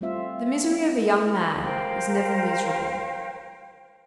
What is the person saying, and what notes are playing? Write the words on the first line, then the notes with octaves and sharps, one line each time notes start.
The misery of a young man is never miserable.
G3 A3 C4 F4 E5 F5
A#4 C5 F5 G5